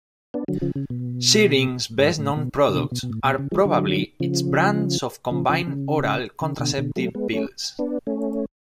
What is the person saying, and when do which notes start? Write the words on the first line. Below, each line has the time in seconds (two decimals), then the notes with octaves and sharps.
Schering's best-known products are probably its brands of combined oral contraceptive pills.
0.34 B3 D4
0.48 D3 F#3
0.62 C#3 F3
0.76 C#3
0.90 B2
1.99 G#2
2.19 A2
2.36 B2
2.69 C#3
2.74 B2 D3
2.92 B2
3.03 B2
3.10 A2
3.24 B2
3.38 C#3
3.51 F3 G#3
3.65 D3 F#3
4.20 C#3 F3
5.31 C#3 F3
5.49 C#3 F3
5.67 C#3
6.41 C#3
6.59 B2 D3
6.78 B2 D3
6.96 F#3 A3
7.15 G#3 B3
7.33 A3 C#4
7.79 B3 D4
8.07 A3 C#4